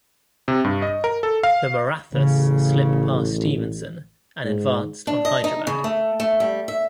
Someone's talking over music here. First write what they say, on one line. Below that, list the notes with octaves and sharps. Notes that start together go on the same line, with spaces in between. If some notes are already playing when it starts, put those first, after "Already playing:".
The Marathas slipped past Stevenson and advanced on Hyderabad.
C3
G2
D#5
A#4
A4
F5
A1 C#3
G#2
D4
D#5
D#4
C#3
A3
A3
G3
E5